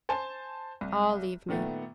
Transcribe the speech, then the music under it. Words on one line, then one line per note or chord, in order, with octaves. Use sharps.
"All leave me."
C5 G#5 A5
C2
A#2 D#3 A3 B3